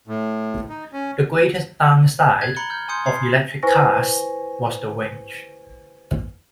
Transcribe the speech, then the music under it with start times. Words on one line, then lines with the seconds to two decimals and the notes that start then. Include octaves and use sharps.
The greatest downside of electric cars was the range.
0.08 A2
0.69 D#4
0.93 C#4
2.41 F#6 G#6 A6
2.56 A#5 B5 F#6 C#7 G7
2.70 F6 G6
2.88 G#5 C6 D#6 G6 C#7
3.06 G#6 C7
3.63 E4 B4 C5 G#5 C#6 A#6